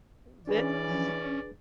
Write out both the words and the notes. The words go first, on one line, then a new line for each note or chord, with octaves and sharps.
Thi th
E3 C#4 D4 G#4 B4 D5